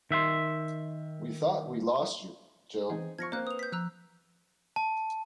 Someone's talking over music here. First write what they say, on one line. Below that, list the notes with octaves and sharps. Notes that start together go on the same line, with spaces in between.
We thought we'd lost you, Jo!
D#3 E5 F#5 C6
E3 C4 D#4 G#4
F3 C#6 F6 G#6 A#6 C#7
A#3 C4 C5 F#6
B4 D#6 F7
G6 B6
F3 A#5 E6 F#6
A5